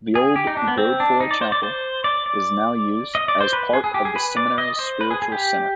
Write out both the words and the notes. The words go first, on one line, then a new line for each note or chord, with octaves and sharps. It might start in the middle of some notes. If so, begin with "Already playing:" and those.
The old Godefroy Chapel is now used as part of the seminary's Spiritual Center.
G#4
G4
D#4
D4
B3
C4
D4
D#4
D5
C5
D5
C5
D5
D5
D#5
D5
C5
B4
G#4
G#4
G4
G#4
B4
D5
D#5
C5
B4
G#4
G#4
G4